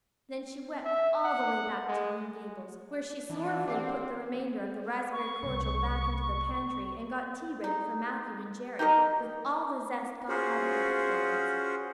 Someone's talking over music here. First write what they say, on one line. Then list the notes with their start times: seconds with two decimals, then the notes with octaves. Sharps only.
Then she wept all the way back to Green Gables, where she sorrowfully put the remainder of the raspberry cordial back into the pantry and got tea ready for Matthew and Jerry, with all the zest gone out of the performance.
0.85 E5
1.24 F#5
1.88 G#3
3.30 E3 D4
3.68 C4 G4 F5 F#5
5.12 C#6
5.42 C2 A#2
7.64 D#4
8.79 D#4 G4 A#4 D#5
10.29 C#4 F4 F#4 G#4 C5